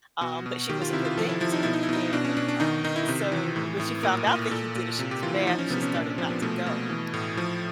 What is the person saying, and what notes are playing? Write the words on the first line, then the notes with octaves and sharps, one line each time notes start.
um, but she was a good dancer, and, um, so when she found out that he did it, she was mad and she started not to go
B2 F#4
B2
D#3 G4
F4
C3 E4
F4
F3 A4
E4
F3 E4
D#4
B2 E4
D#4
E4
B2 D#4
B2 D4
C#4
B2 D4
D4
D#3 D#4
D#3 D#4
E4
C3
E3
A2
A2
A#2 A#4
A#2
A#2 A4
A#2
C3
G4
E3 F4
E4
F3 D#4
C#4
C3 B3
C#4
A#2 D4
C#4
F3 C4
B3
B2 A3
B2
E3
A2
F3